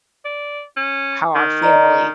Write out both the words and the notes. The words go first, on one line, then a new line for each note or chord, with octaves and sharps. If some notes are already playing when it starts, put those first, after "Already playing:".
how our family
D5
C#4
D#3
D5 D#5 A#5